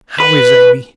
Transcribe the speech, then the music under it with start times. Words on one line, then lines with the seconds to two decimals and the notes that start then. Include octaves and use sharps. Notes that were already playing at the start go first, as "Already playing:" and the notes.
"How is Amy?"
0.20 B4